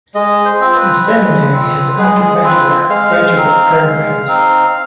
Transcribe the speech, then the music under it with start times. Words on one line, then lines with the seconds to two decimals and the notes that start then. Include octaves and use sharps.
The seminary has undergraduate and graduate programs.
0.15 G#3 D#5
0.45 C5
0.60 C4 F4
0.75 B4
1.06 G#3
1.52 C4 F4
1.97 G#3 G#4
2.20 G#4
2.43 C4 F4 B4
2.89 G#3 F5
3.35 C4 D#4
3.82 G#3
4.27 C4 D#4